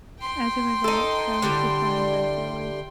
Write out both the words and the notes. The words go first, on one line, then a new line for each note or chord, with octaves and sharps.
As a result, crowds declined rapidly.
G5 C6
D#4 A4
D3 G3 E4